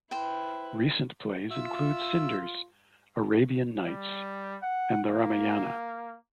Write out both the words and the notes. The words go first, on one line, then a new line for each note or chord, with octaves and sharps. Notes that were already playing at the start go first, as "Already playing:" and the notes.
Recent plays include "Cinders", "Arabian Nights", and "The Ramayana".
E4 B4 C5 G5
F4 E5 E6
G3
F#5
A#3